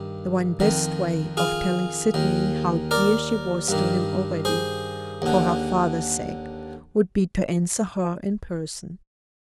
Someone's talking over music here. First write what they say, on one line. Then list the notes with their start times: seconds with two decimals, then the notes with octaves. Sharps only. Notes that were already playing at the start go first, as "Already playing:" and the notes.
The one best way of telling Sydney how dear she was to him already, for her father's sake, would be to answer her in person.
Already playing: G2 D#3
0.60 F2 D#3
1.37 F4 G#4
2.14 D#2 D#3
2.91 A#4 D5
3.68 G2 D#3
4.45 G#4 C5
5.22 D#2 D3